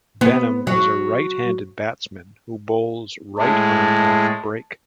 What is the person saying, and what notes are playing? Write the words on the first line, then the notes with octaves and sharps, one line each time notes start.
Benham is a right-handed batsman who bowls right-arm off break.
B3
F#3
A2 G#3 A5